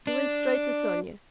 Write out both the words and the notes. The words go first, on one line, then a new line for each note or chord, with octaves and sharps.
He went straight to Sonia.
D4